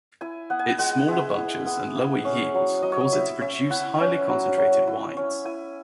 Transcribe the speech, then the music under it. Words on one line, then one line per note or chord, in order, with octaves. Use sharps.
Its smaller bunches and lower yields cause it to produce highly concentrated wines.
E4 G#5
B3 F#5
G#5
F#5
G#3 F#5
F#5
G#3 E5
E4
B3
E4
C#4
F#3
F#3 D#5
C#5
D#5
E4 E5
C#4 E5
E4 F#5
C#4
F#3
F#3
E4
C#4
E4 G#5